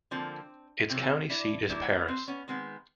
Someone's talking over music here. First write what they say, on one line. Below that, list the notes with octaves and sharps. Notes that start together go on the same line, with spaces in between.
Its county seat is Paris.
D3 F3 A#3 C4
C3 D#3 F#3 C4
D4 E4
D#3 G3 A#3 D4 E4
B3
C4
B3 C#4
D#3 G#3 B3 C4